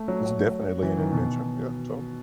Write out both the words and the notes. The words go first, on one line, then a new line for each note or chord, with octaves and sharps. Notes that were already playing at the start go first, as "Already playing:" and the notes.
It's definitely an invention, yeah, so
Already playing: A3
F#3
F#3
E3
D#3
B2